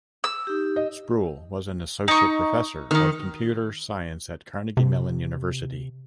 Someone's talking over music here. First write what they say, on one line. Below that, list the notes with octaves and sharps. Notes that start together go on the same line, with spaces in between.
Sproull was an Associate Professor of Computer Science at Carnegie Mellon University.
E6
D#4 G4
D#5
D#4 C#6
D#3 D#4 F6
C3